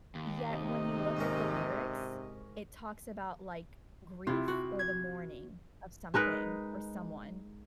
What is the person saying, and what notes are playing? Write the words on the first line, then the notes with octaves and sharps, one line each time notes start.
yet when you look at the lyrics, it talks about, like, grief or the mourning of something or someone,
D#2
C3 D#4 D#5
G#2 C#4 A#4
C3 E4 F4
F#4
G#6
G#3 D#4 A#4 B4